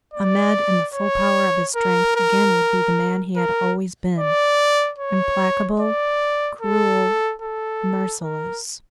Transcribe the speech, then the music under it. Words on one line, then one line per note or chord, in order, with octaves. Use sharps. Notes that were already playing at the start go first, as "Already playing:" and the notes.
Ahmed in the full power of his strength again would be the man he had always been, implacable, cruel, merciless.
D5
C#5
A#4
A#4
A#4
D5
C#5
D5
A4
A4
A#4